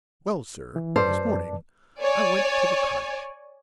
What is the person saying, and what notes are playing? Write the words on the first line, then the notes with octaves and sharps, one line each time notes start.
Well, sir, this morning I went to the cottage.
E3
F#2 B4 C5 D5 A5
C#5 D5 G#5